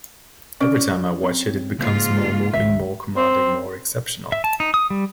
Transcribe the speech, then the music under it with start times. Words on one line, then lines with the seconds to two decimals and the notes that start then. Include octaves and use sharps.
Every time I watch it, it becomes more moving, more commanding, more exceptional.
0.60 C#4 D5
1.23 C4
1.79 G#2 C#3 A#3 F4
2.53 G#1 C#2 E5
3.16 C4
4.32 E5
4.44 A5
4.60 D#4
4.74 D#6
4.90 G3